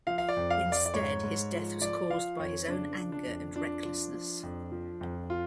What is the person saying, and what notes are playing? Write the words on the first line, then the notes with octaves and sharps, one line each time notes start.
Instead, his death was caused by his own anger and recklessness.
F3 F5
F5
D5
F2
F5
F2
D5
D5
G#2 C#5
G#2
F3
F3 D5
F3 F5
F2 C#5
C#3 D4
F3
D4
F2
F3 D4
F3
F3
F2
F3
F2
F4